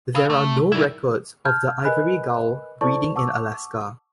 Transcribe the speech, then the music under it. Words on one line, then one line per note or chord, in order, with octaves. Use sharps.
There are no records of the ivory gull breeding in Alaska.
G#4 F5 B5 D#6 E6
A3
C3
F#3 G3 D#4 E4 A#4
A5 F6 G6 G#6
A#4 B4 D#5 G#5 B5 F#6
E4 A4 C5 D5 A5 C#6
F#5 A5 C#6 D6 E6